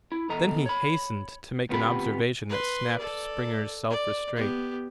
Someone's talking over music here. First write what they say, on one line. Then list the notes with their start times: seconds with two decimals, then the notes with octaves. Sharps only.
Then he hastened to make an observation that snapped Springer's self-restraint.
0.12 E4
0.29 E2 B2 A4 D#5 A#5
0.66 C#5 B5
1.69 D2 B3 C4 F4 G4 B5
2.49 B4 C6
2.98 A4 D5
3.90 D5
4.36 B3 G4